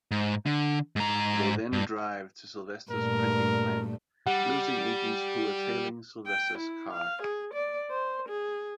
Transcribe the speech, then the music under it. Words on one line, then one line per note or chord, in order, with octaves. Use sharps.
They then drive to Sylvester's printing plant, losing agents who are tailing Sylvester's car.
G#2
D3
G#2 A#5
G2
G2 A#2 A3 A#4
G3 F#5
G5
E4
F5
G#4
D5
C5
G#4